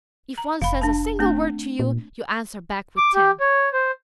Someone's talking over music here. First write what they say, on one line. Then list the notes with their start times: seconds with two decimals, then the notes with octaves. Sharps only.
If one says a single word to you, you answer back with ten.
0.38 A#5
0.62 F1 F5 B5
0.81 D4 A5
1.19 A3 C4 D4
1.79 A#2
2.97 D6
3.14 G4
3.40 C#5
3.73 C5